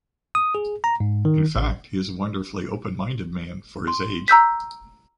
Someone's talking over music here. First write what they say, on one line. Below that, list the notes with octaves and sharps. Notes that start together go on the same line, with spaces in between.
In fact, he is a wonderfully open-minded man for his age.
D#6
G#4
A#5
G#2
D#3
A1
C6
A#5 E6 G6 B6